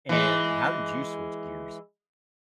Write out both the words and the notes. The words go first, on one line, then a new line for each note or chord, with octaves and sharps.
and how did you switch gears?
E3 G#3